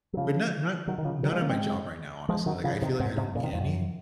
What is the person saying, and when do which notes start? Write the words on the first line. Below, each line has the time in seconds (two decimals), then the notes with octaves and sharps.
but not not n not at my job right now, honestly- like, I feel like I don't need any
0.13 F#3
0.17 C#3 F3
0.87 D#3 F#3
0.98 D#3
1.05 C#3 F3
1.23 D#3 F#3
1.32 F3 G#3
1.41 A#3 C#4
1.49 G#3 C4
2.29 F3 G#3
2.46 D#3 F#3
2.64 C#3 F3
2.82 C3 D#3
3.00 G#2 C3
3.17 G#2 C3
3.35 A#2 C#3
3.43 C3 D#3
3.53 F2
3.61 F#2